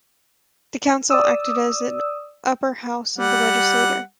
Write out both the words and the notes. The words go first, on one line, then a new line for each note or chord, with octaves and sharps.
The council acted as an upper house of the legislature.
D5 D#6 E6
G3 F#5